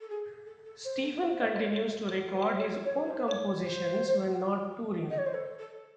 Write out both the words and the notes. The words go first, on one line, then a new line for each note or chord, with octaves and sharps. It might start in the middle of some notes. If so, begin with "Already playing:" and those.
Steven continues to record his own compositions when not touring.
A4
G#4
A4
A4
C5
A4
C5
D#5
D#5
C#5
A4
A4
C5
C#5
C#5
A4
C5
C#5
C#5
C5
D#5
C#5
C5
A4
A4